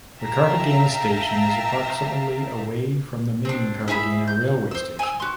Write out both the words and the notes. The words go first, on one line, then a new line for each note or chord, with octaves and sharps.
The Cartagena station is approximately away from the main Cartagena railway station.
E5 F5 G5 A5 A#5
C4 D4
E4 G#4 E5 B5
G6
C5 E6
G#5 E6
F#4 C6